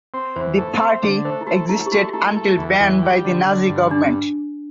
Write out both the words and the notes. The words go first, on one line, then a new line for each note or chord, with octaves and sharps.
The party existed until banned by the Nazi government.
C4
E2 C5
A3
C4
D3
A3 C5
E4
A3 F#4
A3 E4
G4
A3 F#4
A3 E4
A3
E2
E2
G3
D3
D3
G2
D3 D4